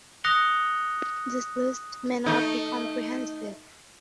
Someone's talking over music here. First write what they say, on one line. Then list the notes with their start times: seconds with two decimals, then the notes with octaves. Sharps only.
This list may not be comprehensive.
0.24 D#6 F#6 A#6 C#7 F7 G7
2.26 A3 D#4